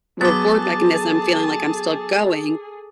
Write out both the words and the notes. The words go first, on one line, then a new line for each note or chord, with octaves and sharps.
reward mechanism feeling like I'm still going,
F#3 B3 G#4 A4 A5 D6 A6